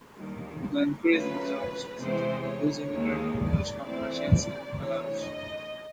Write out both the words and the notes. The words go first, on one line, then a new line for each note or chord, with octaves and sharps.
The increase in jobs resulted in a huge immigrant population of Russians in Belarus.
D#2 D#3 G3
D#3 F#3 A3 C#4 F4 B4
E2 C3 E3 G#3 C4 C5
C#5
D#2 D#3 G#3
D5
E3 A3 C4 E4 D5
D2 C3 E3 C#5
D#5